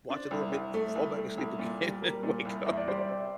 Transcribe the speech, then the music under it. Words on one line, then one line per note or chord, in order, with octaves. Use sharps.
watch a little bit, and fall back asleep again and wake up.
D4 C5
C2
C5
C2
A3 A4
C2
A3
C2
A#2
G3
G3 A#4
A#2
C2
E2 E5
D5
G3 C5
D5
C3